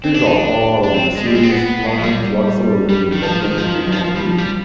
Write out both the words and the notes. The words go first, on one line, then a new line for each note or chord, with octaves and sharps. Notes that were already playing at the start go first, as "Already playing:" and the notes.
These are part of the city's plan to accelerate development in Northgate.
C4
D4
D#4
D4
D4
C4
G#3
G3
G#3
C4
B3
G#3
F3
G3
G3
D#3
F3
D#3
F3
D#3
F3
F3
G3
F3
G3